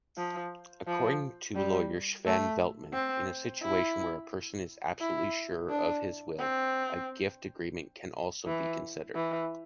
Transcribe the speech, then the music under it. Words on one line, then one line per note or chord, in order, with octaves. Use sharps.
According to lawyer Sven Veltmann, in a situation where a person is absolutely sure of his will, a gift agreement can also be considered.
F3
F3
G3
A3
C4
E4
E4
D4
C4
E3
E3